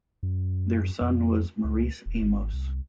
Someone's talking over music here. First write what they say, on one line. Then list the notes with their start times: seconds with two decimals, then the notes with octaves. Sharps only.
Their son was Maurice Amos.
0.23 F#2
1.01 F2
1.64 C#2
2.06 D#1
2.22 G#1
2.53 C2